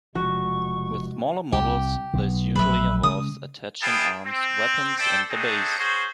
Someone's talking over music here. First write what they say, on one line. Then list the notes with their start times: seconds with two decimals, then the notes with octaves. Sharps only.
With smaller models this usually involves attaching arms, weapons and the base.
0.15 E1 C3 F3 G#3 F#4 C#6
1.52 C2 G4
2.14 B1 B2
2.55 A#1 F#3 A3 B4 E5
3.03 C#3 G#3 D#6
3.82 B3 E4 G#4 F5 G5 A5
4.26 C4
4.98 A4 C5 D5 E5 G5
5.30 A3 C4 D4 D#4 G#4
5.79 C#4 F#4 G#4 C5